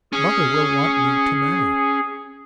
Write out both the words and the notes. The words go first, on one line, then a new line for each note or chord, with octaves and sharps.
'Mother will want me to marry.'
C#4 G#4 G#5